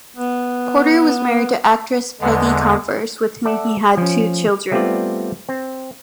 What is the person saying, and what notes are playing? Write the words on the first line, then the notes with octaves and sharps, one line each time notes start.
Porter was married to actress Peggy Converse with whom he had two children.
B3
E2 D3 G#3 B3
A4 D5 E5 F#5
F3 C#4
G3 A3 B3 C4 F4 D5
C4